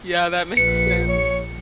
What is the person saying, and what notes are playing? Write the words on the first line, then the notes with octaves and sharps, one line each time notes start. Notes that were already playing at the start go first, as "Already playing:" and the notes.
Yeah, that makes sense.
A#1 B4 C#7
C#5